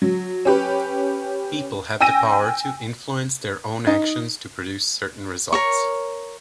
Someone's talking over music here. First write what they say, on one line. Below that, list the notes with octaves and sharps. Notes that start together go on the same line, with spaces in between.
People have the power to influence their own actions to produce certain results.
F#3
C#4 G4 B4
G5 G#5 E6 A#6 D#7
D#4
A#4 C#5 C#6